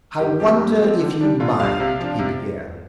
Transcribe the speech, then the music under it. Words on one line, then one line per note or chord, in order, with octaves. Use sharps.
"I wonder if you'd mind," he began.
G2 G4
F3 C4 G4
G2
F3 C4
D3
G3 D4
D3 F4
G3 D4 F5
C3
F3 D4
C3